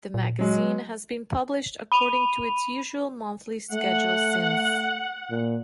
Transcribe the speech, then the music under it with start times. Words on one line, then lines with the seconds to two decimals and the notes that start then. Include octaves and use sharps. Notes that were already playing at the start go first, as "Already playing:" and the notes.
The magazine has been published according to its usual monthly schedule since.
0.14 A#2
0.39 F#3 G#3
1.92 B5 D#7 F7
3.73 A3 F#5
5.30 A#2